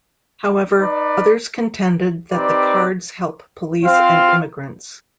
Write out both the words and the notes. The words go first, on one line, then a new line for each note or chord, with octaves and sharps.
However, others contended that the cards help police and immigrants.
D#4 B4 D5
C4 D#4 G4 B4 D5
C4 F4 C5 F5